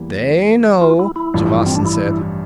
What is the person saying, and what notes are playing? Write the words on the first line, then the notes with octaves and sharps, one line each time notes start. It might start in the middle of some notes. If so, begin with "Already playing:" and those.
"They know," Javasan said.
Already playing: E2 E3 G3 A#3
F4
E4
E4
A1 G2 F3
C4
D4
E4